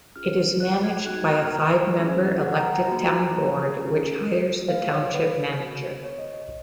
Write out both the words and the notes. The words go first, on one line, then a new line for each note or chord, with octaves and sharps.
It is managed by a five-member elected town board, which hires the township manager.
C#4 F4 G#4 F6
F#6
G#6
B3 D#4 F#4 F#6
G#6
F#6
F6
A#5
C#4 G#4
F#5
A#5
A#5
A#3 D#4 F#4 A#5
C#4 F4 G#4
A#3 F4 G#4 F5
C#5
B4
B3 F#4
C#5
D#5
D#5